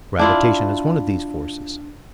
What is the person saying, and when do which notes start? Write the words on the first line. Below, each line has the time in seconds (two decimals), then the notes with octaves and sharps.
Gravitation is one of these forces.
0.19 D4 E4 F4